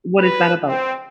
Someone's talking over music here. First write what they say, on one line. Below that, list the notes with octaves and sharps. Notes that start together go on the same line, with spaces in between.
What is that about?
B4
C4